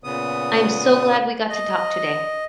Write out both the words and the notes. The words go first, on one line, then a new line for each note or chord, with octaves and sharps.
I'm so glad we got to talk today.
A#2 C#3 B3 D#6
D#5